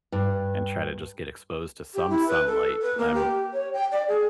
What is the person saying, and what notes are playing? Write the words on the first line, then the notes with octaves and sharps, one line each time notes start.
and try to just get exposed to some sunlight, I'm
G2
G4
E4
B4
A4
B4
A#3
G4
C#5
G5
D5
G#4